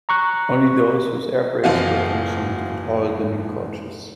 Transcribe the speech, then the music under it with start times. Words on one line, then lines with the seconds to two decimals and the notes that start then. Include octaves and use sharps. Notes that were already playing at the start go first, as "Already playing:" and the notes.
Only those whose air brakes were commissioned could haul the new coaches.
0.09 A#5 C#6 F#6
1.64 F#1 E3 F3 F4 F#4 F5